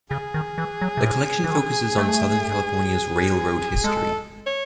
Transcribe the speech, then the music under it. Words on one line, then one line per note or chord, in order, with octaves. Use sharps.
The collection focuses on Southern California's railroad history.
C#3 G#4
D#3
E3
F#3
C3
A2
E3
D#3
A3
G#3 A4
C#5